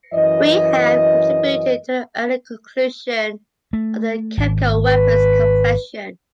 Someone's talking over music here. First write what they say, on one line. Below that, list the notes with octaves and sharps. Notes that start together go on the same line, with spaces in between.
We have contributed to the early conclusion of the Chemical Weapons Convention.
F#2 E3 D#5
A3
G#1
B4